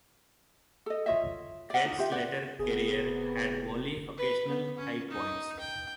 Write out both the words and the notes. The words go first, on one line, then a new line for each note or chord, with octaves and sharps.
Kert's later career had only occasional high points.
A4 D#5
F4 C#5 D#5 E5
D5 F#5
D4 D#4 F4
F4 G4 E5
B4 D5 F#5
F1 C3 B3 G#4
B4
B3
C#4
D#4
G5